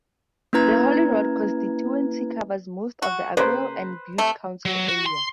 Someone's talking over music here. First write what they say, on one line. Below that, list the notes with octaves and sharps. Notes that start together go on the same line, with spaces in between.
The Holyrood constituency covers most of the Argyll and Bute council area.
A#3 C#4 E4 B4 A#5 G#6
F#4
C#3 A#3 B4 C5
C3 A3
F#3
F#4
C6